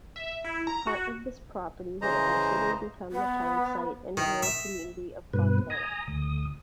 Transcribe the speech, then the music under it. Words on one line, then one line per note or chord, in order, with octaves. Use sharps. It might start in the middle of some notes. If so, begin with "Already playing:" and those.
Part of this property would eventually become the townsite and rural community of Fontana.
E5
E4
A#5
F#4
C#3 E3 C5 D#5 A#5
B3
D#3
E5
G2 B2 B4
G#5 A#5 D#6
D2 D#6